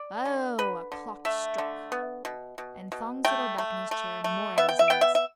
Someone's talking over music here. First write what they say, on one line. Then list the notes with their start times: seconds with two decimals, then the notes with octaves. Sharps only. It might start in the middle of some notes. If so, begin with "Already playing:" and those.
"Oh, a clock struck!" and Thong settled back in his chair more at his ease.
Already playing: D5
0.25 D3
0.58 D3 B4
0.92 D3
1.25 A3 E5
1.58 D3
1.92 B3
2.25 B2
2.58 B2
2.92 B2
3.25 A3 G5
3.58 A3
3.91 A3
4.24 A3
4.58 B3 E5
4.69 G5
4.79 E5
4.90 B3 G5
5.01 E5
5.15 E5